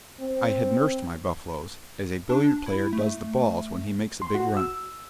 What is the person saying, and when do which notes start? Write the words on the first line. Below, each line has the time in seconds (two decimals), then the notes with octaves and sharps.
I had "nursed" my buffaloes, as a billiard-player does the balls when he makes a big run.
0.20 C4
2.30 D4
2.66 E4
2.93 A3
4.22 C6
4.35 F#4
4.57 E6